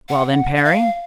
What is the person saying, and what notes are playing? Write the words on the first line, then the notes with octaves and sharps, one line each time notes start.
"Well--then, Parry."
F#5
F#5
F5